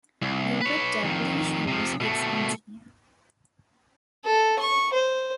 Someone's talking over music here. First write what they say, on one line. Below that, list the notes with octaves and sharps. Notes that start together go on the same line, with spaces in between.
Robert Daglish was its engineer.
C2
B4 C#5
F2 D#3
C3 F3
B2 A3
A4
C#6
C5